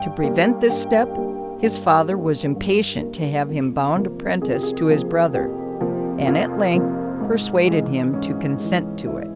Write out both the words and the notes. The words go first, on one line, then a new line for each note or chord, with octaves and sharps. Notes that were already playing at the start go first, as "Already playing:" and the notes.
To prevent this step, his father was impatient to have him bound apprentice to his brother, and at length persuaded him to consent to it.
Already playing: G2 G5
G3 A#3
G2 G5
G3 A#3
G2
G3 A#3
G2
G3 A#3
F2
C3 F3 A#3
F2 G#4
G4
G#4
C3 F3 A#3
F2 G4
C3 F3 A#3
F2 F4
C3 F3 A#3
G#2
E3 G#3
G#2 C#4
E3 G#3
G#2 E4